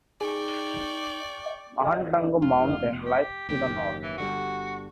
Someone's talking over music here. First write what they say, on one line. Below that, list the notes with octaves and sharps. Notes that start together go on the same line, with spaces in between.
Mahantango Mountain lies to the north.
D#4 G#4 D5 G5 C#6
F1 F4
G4
F#1 D#2 G4
E3
G1 D3 G3 F#4